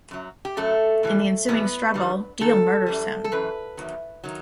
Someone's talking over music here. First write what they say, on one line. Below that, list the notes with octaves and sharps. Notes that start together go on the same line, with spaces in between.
In the ensuing struggle, Deel murders him.
F#2 F#3
G4
F#2 F#3 A3 A4
A2 E3 G3
A2 E3 G3 B3 B4
G2 D#3 G3
G2 D#3 A4
F#2 E3 G3
A4
F#2 E3 B4
E2 D#3 F#3
D#3 F#3